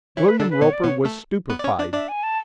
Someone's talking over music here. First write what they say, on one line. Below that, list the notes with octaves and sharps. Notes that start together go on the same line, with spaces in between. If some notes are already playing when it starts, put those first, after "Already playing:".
William Roper was stupefied.
E3 E4 C#5
B4
D3 D4 A4
B4
B2 B3 C#5
D5
B2 B3 C#5
A3 A4
B3 B4
D5
C#4 C#5
D4 D5
D4 D5 E5
G#5
A5